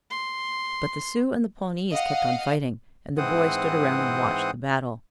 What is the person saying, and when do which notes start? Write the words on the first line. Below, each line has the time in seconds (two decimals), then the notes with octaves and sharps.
But the Sioux and the Pawnees kept on fighting, and the boy stood around and watched the battle.
0.11 C6
1.92 D#5 F5 F#5
3.18 G#2 E3 C4 C5 F#5 D#6